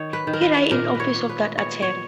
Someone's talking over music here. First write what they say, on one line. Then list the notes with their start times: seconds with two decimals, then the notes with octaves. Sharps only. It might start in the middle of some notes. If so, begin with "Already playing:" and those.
He died in office of that attempt.
Already playing: D#3 C#5
0.13 B4
0.27 D#3
0.33 A#4
0.41 B4
0.71 A#2 A#4
0.95 B4
1.00 C#5
1.15 A#2
1.29 B4
1.58 B3 C#5
1.82 C#5